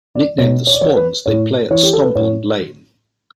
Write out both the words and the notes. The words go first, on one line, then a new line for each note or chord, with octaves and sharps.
Nicknamed the Swans, they play at Stompond Lane.
D5
B2 C#5
C#5
D5
C#5
B4
A2 C#5
E3 C#5
G4
A4
B4
A2 C#5